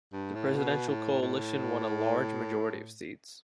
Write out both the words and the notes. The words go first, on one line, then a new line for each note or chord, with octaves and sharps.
The presidential coalition won a large majority of seats.
G2
A2
B2
A2
A2